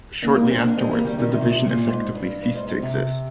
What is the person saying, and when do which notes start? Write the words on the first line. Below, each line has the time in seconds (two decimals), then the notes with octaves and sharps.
Shortly afterwards the division effectively ceased to exist.
0.22 A#3 D4
0.36 A#3 D4
0.50 G#3 C4
0.64 A#3 D4
0.77 G#3 C4
0.91 G3 A#3
1.05 D#3 G3
1.18 D#3 G3
1.32 C3 D#3
1.50 C3
1.69 A#2
1.87 G#2
2.15 G2
2.41 G2
2.55 G#2
2.69 G#2
2.82 C3